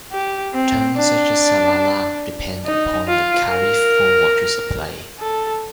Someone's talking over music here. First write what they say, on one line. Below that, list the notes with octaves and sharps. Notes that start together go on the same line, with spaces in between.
Towns such as Salalah depend upon the khareef for water supply.
G4
C4
D4
D#4
F4
A#4
A4